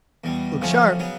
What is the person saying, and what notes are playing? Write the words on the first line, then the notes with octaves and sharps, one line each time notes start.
Look sharp!
E2 B2 G3
D2 C3 F3 A3 C#4
C#3 F#3 B3